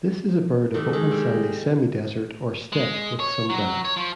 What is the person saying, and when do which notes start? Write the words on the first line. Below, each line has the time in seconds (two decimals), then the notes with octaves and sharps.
This is a bird of open sandy semi-desert or steppe with some grass.
0.74 C3 D#3 A3
0.93 D#3 G#3 A4
1.11 G3 E5
2.72 G#3
3.20 C#5
3.50 F#3
3.85 C#5
3.97 F3